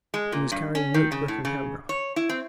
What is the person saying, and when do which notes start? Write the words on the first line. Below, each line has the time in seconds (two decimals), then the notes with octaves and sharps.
He was carrying note-book and camera.
0.14 G#3
0.32 A#2
0.52 G2
0.75 C#4
0.94 D#3
1.12 C#3
1.28 A2
1.45 C#3
1.89 C#5
2.16 E4
2.29 C4